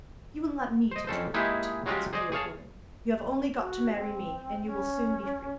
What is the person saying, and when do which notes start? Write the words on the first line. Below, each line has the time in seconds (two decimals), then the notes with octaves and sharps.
'You will not need to do that,' answered the old woman, 'you have only got to marry me, and you will soon be free.'
0.91 C5 D#5
1.07 F2 C#4 A4 C5
1.34 G#3 A#3 D#4 E4 G4 G#4
1.86 F#3 G#3 C#4 F4 G4
2.13 G#4 C5 D5 D#5
2.32 G#4 C#5 F5 A5
3.58 F#4
3.93 C4
4.67 C#4